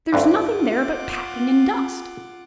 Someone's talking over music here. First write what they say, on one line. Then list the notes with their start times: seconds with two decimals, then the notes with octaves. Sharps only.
There's nothing there but packing and dust.'
0.13 D2 G2 D3 F4 F#5 D6